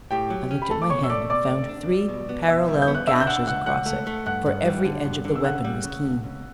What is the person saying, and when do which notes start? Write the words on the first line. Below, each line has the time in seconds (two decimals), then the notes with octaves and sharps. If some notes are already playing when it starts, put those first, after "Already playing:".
I looked at my hand, and found three parallel gashes across it, for every edge of the weapon was keen.
0.11 A2 G4 G5
0.30 F#3
0.51 C#4
0.62 B5
0.70 A3 A4 A5
0.82 D6
0.90 B2 C#5 C#6
1.04 E6
1.10 A3 D5 D6
1.30 B2 D5 D6
1.50 A3
1.69 D4
1.89 G3
2.09 B2
2.29 B3
2.48 B2 E5 E6
2.68 G3
2.82 G6
2.88 B3
2.95 F#6
3.07 D4 E5 E6
3.21 G6
3.27 D4 F#5 F#6
3.47 C#2 F#5 F#6
3.66 C#2 F#5 F#6
3.86 A3
4.07 A3
4.26 G2 F#5 F#6
4.46 G2
4.65 G3
4.85 D3
5.05 G2
5.25 D3
5.35 E6
5.44 C#3 F#5 F#6
5.65 G3
5.84 C#3
6.04 C#2
6.24 C#2